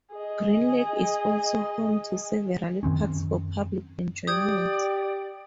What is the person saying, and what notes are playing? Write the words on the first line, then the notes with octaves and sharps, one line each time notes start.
Green Lake is also home to several parks for public enjoyment.
G#4 D#5
F#2 D#3 C4 C#4
G4 D5 D#6 G6 G#6